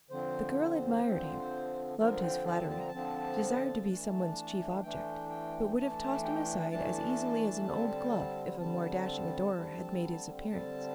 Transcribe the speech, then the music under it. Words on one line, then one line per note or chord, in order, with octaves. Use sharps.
The girl admired him, loved his flattery, desired to be some one's chief object, but would have tossed him aside as easily as an old glove if a more dashing adorer had made his appearance.
D3 F3 C4 C5
D3 F3 C4
D3 F3 C4 A#4
G5
A5
A5
A#5
A5
D3 F3 C4
E3 A3 D4
E3 A3 D4 G5
G5
E3 A3 D4 A5
G5
E3 A3 D4 A5
D3 G3 C4
D3 G3 C4 A5
D3 G3 C4
D3 G3 C4 A5